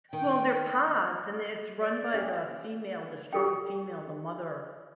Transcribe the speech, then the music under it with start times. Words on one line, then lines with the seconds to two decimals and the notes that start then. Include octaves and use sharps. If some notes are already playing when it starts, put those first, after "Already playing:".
Well, they're pods and it's run by the female, the strong female, the mother.
0.13 D#3 G5
1.80 D5
2.14 C#4 G4 G#4
3.33 G4 A4 G5